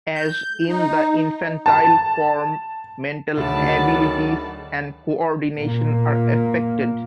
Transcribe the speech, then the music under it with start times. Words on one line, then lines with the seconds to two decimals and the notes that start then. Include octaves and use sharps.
As in the infantile form, mental abilities and coordination are affected.
0.15 G6
0.68 D#4
1.66 A5
3.37 D2 D#3 F#3 G#4 D5 F#5 A5 B5
5.56 A#2 A#3